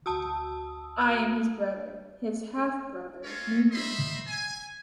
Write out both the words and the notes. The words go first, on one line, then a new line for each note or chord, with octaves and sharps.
I am his brother — his half-brother, Lincoln.
D2 F#4 A5 D#6 E6
A#3 C4 C#4 F4 A4 C#5
D#4 C5 D#5 E5 B5 C6
G#5